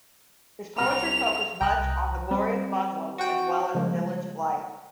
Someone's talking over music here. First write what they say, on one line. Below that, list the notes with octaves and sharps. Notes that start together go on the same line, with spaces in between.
His poetry focused much on the glory of Muslims as well as village life.
C2 A#5 F6 F7
C2 G5 A#5 D#6 F#6
G3 C4
F#4 F#5 G5
C#3 F3 G3 G#3 A#3